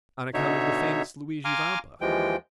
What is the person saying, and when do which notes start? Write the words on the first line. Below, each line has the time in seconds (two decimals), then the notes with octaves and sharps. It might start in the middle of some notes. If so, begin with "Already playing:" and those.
"On account of the famous Luigi Vampa."
0.34 B2 D3 D#4 C#5 E5
1.45 F5 G#5 A#5 C6 D6 F6
2.01 D#2 E3 F3 G#3 G5